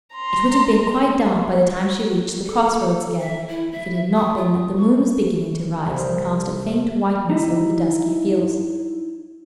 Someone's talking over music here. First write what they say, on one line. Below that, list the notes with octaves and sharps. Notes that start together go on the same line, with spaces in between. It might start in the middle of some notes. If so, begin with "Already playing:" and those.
It would have been quite dark by the time she reached the cross-roads again, if it had not been that the moon was beginning to rise, and cast a faint whiteness over the dusky fields.
A#5 C6
A4
E5
E4
E5
D#6
F4
C#6
C2
D#4 E4 D#5